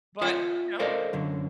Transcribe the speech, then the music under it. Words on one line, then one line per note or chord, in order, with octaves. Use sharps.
but, you know,
F4 C#5 E5 F#5
A4 A#4 C5 D5 D#5 F5
F#2 D3